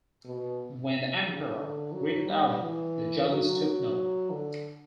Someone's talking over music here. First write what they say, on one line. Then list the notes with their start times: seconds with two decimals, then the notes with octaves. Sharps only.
When the emperor greeted Alec, the judges took note.
0.25 B2
1.26 C#3
1.60 D3
1.94 F#3
2.27 G3
2.61 E3
3.29 F#3
3.64 F#3
4.31 D3